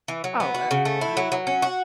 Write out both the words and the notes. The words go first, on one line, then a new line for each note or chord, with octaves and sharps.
Oh, absolutely.
E3
F#3
B3
F#4
C#3
A3
E4
F#3
F#3
C#4
F#4